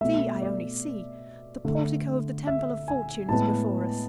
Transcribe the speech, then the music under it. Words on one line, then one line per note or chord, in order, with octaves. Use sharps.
See, Ione--see! the portico of the Temple of Fortune is before us.
B2 A3 E5
D5
D3 A3
E5
G#5
A2 G#3 B3 A5